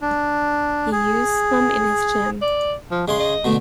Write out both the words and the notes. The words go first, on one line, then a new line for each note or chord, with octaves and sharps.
He used them in his gym.
D4
G#4
D5
F3
C#3 G#3 G#4 C6
D#5
B2 D3 A3